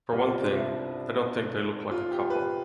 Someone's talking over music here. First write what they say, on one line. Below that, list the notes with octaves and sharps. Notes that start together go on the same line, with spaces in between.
For one thing, I don't think they look like a couple.
C2 B2 G3 F4
C4
D4
E4
F4
G4
B4